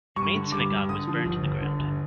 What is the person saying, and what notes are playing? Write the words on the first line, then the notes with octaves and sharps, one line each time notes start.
The main synagogue was burned to the ground.
G2 C#6
D3
G2 D6
G2
D3 D#6
F3
G1
G1
D3
G1